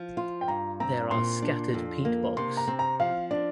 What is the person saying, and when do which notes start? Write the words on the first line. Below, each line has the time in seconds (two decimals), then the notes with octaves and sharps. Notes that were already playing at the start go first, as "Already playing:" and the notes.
There are scattered peat bogs.
Already playing: F3
0.17 F4
0.41 G5
0.48 G2 A#5
0.80 C4 A#5
1.11 A#2 C6
1.42 D4
1.74 F2
2.05 A#3
2.37 C3 C6
2.57 A#5
2.68 C4
2.79 A#5
3.00 F3 F5
3.31 D4 D5